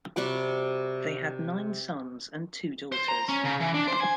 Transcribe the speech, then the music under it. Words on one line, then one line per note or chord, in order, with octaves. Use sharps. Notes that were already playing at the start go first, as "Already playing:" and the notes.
They had nine sons and two daughters.
C3 G3 F#4 D6
C5
A#5
C#4
C#3
E3
D4
C5
G#5